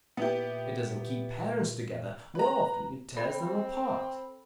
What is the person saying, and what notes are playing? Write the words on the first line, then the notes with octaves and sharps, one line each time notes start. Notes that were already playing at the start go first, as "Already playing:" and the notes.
It doesn't keep parents together; more often it tears them apart.
A#2 B3 E4 G4
B4 A#5
C4 A4 B5